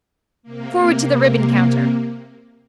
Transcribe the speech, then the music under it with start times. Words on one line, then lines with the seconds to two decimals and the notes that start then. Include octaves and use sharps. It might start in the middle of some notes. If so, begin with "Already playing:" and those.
Forward to the ribbon counter.
0.43 C3 A#3